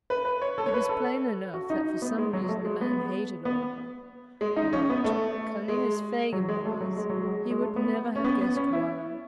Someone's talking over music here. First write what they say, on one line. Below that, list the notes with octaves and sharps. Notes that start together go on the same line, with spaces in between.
It was plain enough that for some reason the man hated Oliver, but, cunning as Fagin was, he would never have guessed why.
B4
B4
C#5
A4
C#5
B4
A4
F#4
D#4
B3
G#3
F#3
A3
G#3
B3
B3
G#3
D#4
C#4
B3
A3
G#3
F#3
G#3
A3
F#3
G#3
F#3
G#3
G#3
A3
B3
C#4
B3
B3
C#4
E4